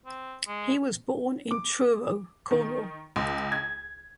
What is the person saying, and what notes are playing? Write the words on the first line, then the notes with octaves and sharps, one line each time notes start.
He was born in Truro, Cornwall.
C4
G#3
D6
D#3
C#2
G#6